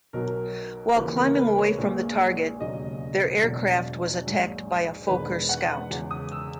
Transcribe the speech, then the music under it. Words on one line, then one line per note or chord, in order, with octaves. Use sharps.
While climbing away from the target, their aircraft was attacked by a Fokker scout.
B1 B2 F#3 A#4
A#4
D#2 C#3 E3 B4
A#4
B4
C#5
A#1 A#2 G#3
E1 D#2 C#3 F#3 D#5
E1 E2 B2 F#3
A#1 G#2 F#3
E1 E2 D#3 G#3 B4
F#5
E2 C#3 G#3
D#6
E6